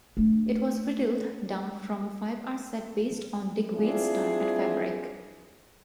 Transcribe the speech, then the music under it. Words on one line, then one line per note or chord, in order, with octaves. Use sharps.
It was whittled down from a five-hour set based on Digweed's time at Fabric.
A3 D4
G3 C4 D4 E4 F4 G#4